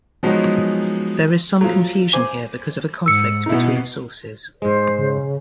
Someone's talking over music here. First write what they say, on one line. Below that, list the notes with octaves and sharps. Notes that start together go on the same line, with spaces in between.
There is some confusion here because of a conflict between sources.
F3 F#3 G#3 B3 D#4
F3 F#3
C5 G#5 D6
G#2 E6 C#7
B2 B3 D#4 E4
G#2 G#3 C5
C#3